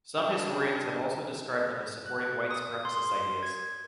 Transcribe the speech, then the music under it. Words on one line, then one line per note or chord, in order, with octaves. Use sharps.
Some historians have also described them as supporting white supremacist ideas.
G3 D4 G5 A5
F#6
D#6
C6
G#6